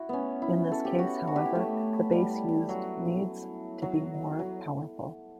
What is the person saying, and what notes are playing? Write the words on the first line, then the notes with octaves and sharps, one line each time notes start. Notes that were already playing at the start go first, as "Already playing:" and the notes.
In this case, however, the base used needs to be more powerful.
Already playing: E4 F#4
B3 C#4
E4
A4
G4
F#4
F#4
G4
E4
A3
G3
F#3
F#3
F#3